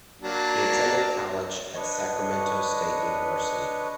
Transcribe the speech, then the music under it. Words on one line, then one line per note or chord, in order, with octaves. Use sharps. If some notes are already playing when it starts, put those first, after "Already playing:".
He attended college at Sacramento State University.
F#3 A#3 D4
D4 B4 C#5 D#5 C#6